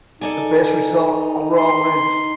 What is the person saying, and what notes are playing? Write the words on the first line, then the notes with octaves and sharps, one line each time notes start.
The best result overall wins.
D#4 A4 D5 G#5
C6